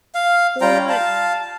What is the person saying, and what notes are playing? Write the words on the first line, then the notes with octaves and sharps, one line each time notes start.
Well, you know what?
F5
G3 F4 G5 A#5
F5 A5